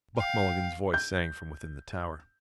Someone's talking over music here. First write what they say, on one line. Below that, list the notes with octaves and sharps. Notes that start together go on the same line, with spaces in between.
Buck Mulligan's voice sang from within the tower.
F5 G5
G6